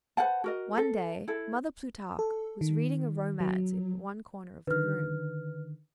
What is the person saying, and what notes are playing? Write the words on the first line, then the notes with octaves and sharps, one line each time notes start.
One day, Mother Plutarque was reading a romance in one corner of the room.
B4 C5 F#5 A5
F#4 A#4 D#5
A4
E4 A4
A4
D#3
F#3
D3 D#3 B4 F6